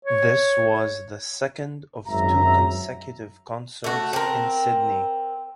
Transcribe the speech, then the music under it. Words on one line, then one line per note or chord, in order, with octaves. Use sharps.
This was the second of two consecutive concerts in Sydney.
C#5
G#1 F#2 F#3 E5 A#5
A3 F#4
C4 A#4